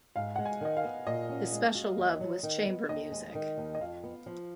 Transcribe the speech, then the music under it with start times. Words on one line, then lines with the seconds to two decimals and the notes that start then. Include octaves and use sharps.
His special love was chamber music.
0.16 G#2 F5
0.36 G#3 F#5
0.45 G#5
0.61 D#3 D#5
0.77 F5
0.84 B3
1.07 A#2 D#5
1.30 C#4
1.52 G#3
1.75 F#4
1.98 D#2
2.21 F#3
2.43 D#3
2.67 B3
2.89 D#2 D#5
3.12 G#3
3.35 D#3
3.58 D#2
3.75 D#5
3.81 F2 F5
4.04 B3
4.26 F3